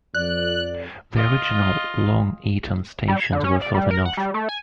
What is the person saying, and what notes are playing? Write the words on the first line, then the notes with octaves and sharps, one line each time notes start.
The original Long Eaton stations were further north.
F2 D5 F#6
F4 D#5
G3
G#6
D3
C#4
D5
G3
A#4
F#5
G3
A3
G#5